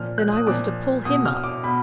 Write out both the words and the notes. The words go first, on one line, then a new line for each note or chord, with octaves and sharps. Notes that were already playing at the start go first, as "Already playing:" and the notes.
Then I was to pull him up.
Already playing: A#2 F3 F6
F#6
D#6
A#2 F3 D6
B2 D#6
F6
D6
B2 B5